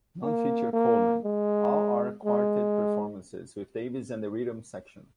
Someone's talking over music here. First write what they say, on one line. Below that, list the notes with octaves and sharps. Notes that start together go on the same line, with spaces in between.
None feature Coleman; all are quartet performances with Davis and the rhythm section.
A#3
A#3
G#3
G#3